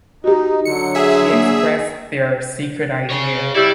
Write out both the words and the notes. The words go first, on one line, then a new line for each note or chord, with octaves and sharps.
She expressed their secret idea.
D#4 F#4 G4
D3 F#3 C#7
G#4 E5
A#3
G#4 C#5
G3 E4 G4 D5